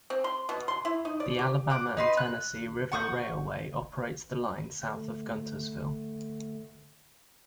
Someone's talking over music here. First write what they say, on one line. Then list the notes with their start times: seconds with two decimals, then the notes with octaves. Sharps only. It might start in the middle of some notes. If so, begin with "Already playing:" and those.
The Alabama and Tennessee River Railway operates the line south of Guntersville.
0.10 C4
0.24 C6
0.49 B2
0.68 C6
0.85 E4
1.05 D#4
1.20 D5
1.39 G4
1.70 F#5 D6
1.97 D#4 B4 C6
2.17 F#6
2.92 F#5 C#6 D#6 G6
4.86 D3 A3